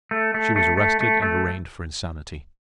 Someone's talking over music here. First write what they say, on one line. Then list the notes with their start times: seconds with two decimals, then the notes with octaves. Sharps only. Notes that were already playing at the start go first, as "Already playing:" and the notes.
She was arrested and arraigned for insanity.
0.11 A3
0.34 A3
0.56 A3
0.77 A3
1.01 A3
1.22 A3